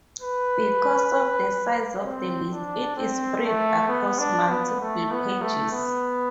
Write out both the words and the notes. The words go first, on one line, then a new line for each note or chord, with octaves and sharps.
Because of the size of the list, it is spread across multiple pages.
B4
C4
D4
C4
A3
B3
D4
B3
A3
B3
A3
B3